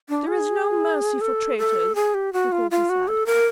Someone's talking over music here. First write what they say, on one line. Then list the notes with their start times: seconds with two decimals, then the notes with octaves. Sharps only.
"There is no mercy for traitors!" she coldly said.
0.09 D4
0.27 G#4
1.21 A4
1.58 A4
1.95 G#4
2.14 G4
2.33 F#4
2.52 F4
2.71 F4
2.89 F#4
3.08 A4
3.26 A#4